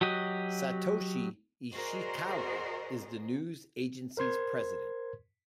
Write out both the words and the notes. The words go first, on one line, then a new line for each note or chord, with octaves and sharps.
Satoshi Ishikawa is the news agency's president.
F#3 F#4 G4 D#5
F#4 G#4 A#4 C5 D5 D#5
A#4 C5 C6 G#6